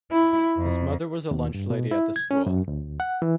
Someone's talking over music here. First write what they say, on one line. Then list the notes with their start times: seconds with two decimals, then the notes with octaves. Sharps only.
His mother was a lunch lady at the school.
0.11 E4
0.58 F2
1.31 D#2
1.54 G2
1.70 B2
1.91 E4
2.16 G#6
2.31 C#4
2.46 F#2
2.68 D2
3.00 F#5
3.22 E3